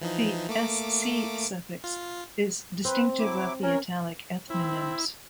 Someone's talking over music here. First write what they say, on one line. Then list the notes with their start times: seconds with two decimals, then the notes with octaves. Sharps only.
The -sc- suffix is "distinctive of the Italic ethnonyms".
0.01 E3 F3 D#4
0.49 A3 A#3 D6
1.84 F4
2.85 C4 B4
3.19 F#3 E4 D6
3.63 C#4 A#4 C#5
4.50 C4 E4